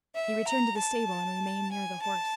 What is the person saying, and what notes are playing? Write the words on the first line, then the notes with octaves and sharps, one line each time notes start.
He returned to the stable and remained near the horse.
E5
A#5
A5
G#5
A5